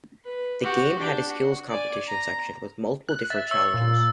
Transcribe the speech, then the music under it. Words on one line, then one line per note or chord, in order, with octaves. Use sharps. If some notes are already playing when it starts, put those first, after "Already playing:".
The game had a skills competition section with multiple different challenges.
B4
F#4 G4
D4 G4
F#4
D5 G#5
A#5
F#6
E5 A6
C#5 E6
A#2